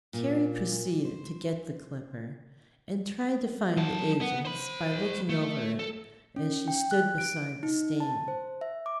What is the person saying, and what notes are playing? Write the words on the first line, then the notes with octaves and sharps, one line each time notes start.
Carrie proceeded to get the "Clipper," and tried to find the agents by looking over it as she stood beside the stand.
A#2
C5
F#3 A5
B3
C5 B5
A3
A4
C#4
G5
F#6
D7
D#4
A5
C5
E5
D6